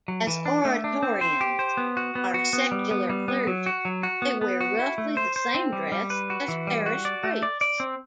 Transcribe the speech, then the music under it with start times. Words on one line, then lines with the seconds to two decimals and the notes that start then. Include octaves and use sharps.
As Oratorians are secular clergy, they wear roughly the same dress as parish priests.
0.08 F#3
0.27 E3
0.46 D4
0.65 A3
0.84 D4
1.03 C4
1.21 C5
1.41 G4
1.59 C5
1.77 B3
1.97 F#4
2.15 B3
2.34 F#4
2.53 B3
2.72 G3
2.91 B3
3.09 G3
3.28 B3
3.47 F#3
3.66 F#4
3.85 F#3
4.03 F#4
4.22 B3
4.41 B3
4.61 F#4
4.79 E4
4.98 A3
5.17 C5
5.36 C5
5.55 C4
5.73 G3
5.92 G3
6.10 B4
6.30 F#4
6.48 E3
6.67 G3
6.86 F#4
7.05 D5
7.24 A3
7.43 D5
7.61 D5
7.80 C4